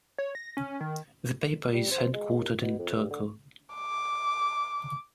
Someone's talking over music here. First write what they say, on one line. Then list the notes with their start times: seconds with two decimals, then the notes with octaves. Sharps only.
The paper is headquartered in Turku.
0.18 C#5
0.35 A#6
0.57 C#4
0.81 D#3
1.74 G3
1.91 C5
2.13 G#3
2.39 D#2
2.61 B2
2.79 F2
2.95 G2
3.10 D3
3.75 D6